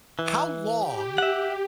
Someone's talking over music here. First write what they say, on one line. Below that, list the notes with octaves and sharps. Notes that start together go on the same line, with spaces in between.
How long
E3
G4
E5 F#5